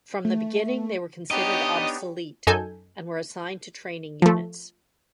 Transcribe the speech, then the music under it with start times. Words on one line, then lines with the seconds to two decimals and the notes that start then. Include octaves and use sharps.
From the beginning they were considered obsolete, and were assigned to training units.
0.25 A3
1.31 B3 D4 D#4 G4 C#5 D#5
2.47 F#2 D#4 A4 G#5 G6
4.22 F3 A3